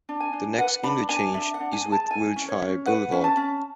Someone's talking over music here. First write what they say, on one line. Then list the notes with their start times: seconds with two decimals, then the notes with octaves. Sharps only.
The next interchange is with Wilshire Boulevard.
0.09 D4
0.20 G#5
0.33 D4
0.58 B4 F#5
0.83 D4 B5
1.09 D4 G#5
1.34 D4 E5
1.54 F#5
1.60 D4
1.73 G#5
1.85 G#4
1.92 A5
2.10 E4 G#5
2.36 C#4
2.48 C#5
2.62 C#4
2.86 B4 F#5
3.12 C#4
3.24 A5
3.37 C#4